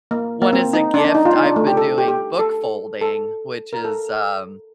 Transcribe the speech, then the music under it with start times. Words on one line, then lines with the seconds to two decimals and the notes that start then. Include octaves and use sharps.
one is a gift. I've been doing book folding which is, um
0.11 A#3
0.42 A#3
0.53 C4
0.73 D#4
0.94 D4
1.05 D4
1.15 D#4
1.25 F4
1.36 D#4
1.46 D4
1.56 A3
1.67 G4
1.77 A4
1.98 G4
2.08 G4
2.39 A4
3.01 A4
3.73 A#4
3.85 A4